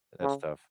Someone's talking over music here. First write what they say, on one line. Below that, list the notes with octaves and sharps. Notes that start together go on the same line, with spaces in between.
That's tough.
C#3